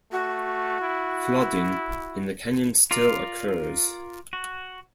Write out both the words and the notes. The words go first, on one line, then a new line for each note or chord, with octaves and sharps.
Flooding in the canyon still occurs.
A3 F#4
E4
F4 A#4 D5 F5
F#4